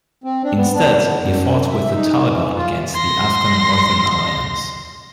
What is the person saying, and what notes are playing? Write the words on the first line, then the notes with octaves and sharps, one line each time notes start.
Instead, he fought with the Taliban against the Afghan Northern Alliance.
C4
D4
B3
D4
B3
F#2
E5
D#4
E3
F4
C6 A#6